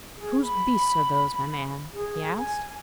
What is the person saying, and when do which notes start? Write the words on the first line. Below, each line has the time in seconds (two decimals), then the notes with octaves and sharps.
'Whose beasts are those, my man?' he asked.
0.18 G#4
0.42 B5
1.94 G#4
2.38 G#5